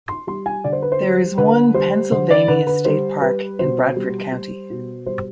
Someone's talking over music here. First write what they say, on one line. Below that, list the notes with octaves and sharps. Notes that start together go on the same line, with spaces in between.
There is one Pennsylvania state park in Bradford County.
C6
G3 C6
G#5
D3 D5
C5
B4
C5
G3
D3 B4
G3 C5
D3 C5
D5
D3 B4
B4
G3 C5
G3 B4
B2 C5
G3
G3
B2
G3 C5